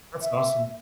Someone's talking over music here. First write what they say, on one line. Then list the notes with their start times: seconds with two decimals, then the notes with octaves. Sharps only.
That's awesome.
0.22 E5